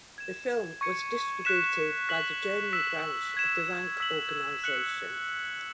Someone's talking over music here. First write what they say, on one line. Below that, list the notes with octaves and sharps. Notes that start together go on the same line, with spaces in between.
The film was distributed by the German branch of the Rank Organisation.
G#6 E7
C#6 G#6 C#7
F#6 B6 E7
F#6 B6 F#7
E6 B6 E7
G#6 E7
E6 B6 F#7
F#6 C#7 F#7